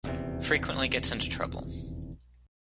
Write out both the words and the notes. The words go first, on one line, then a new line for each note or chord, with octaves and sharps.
Frequently gets into trouble.
D#1 E2 C3